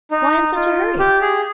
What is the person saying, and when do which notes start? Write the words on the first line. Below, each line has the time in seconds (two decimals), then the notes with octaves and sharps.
"Why in such a hurry?"
0.11 D#4
0.55 F4
0.99 G4
1.21 G#4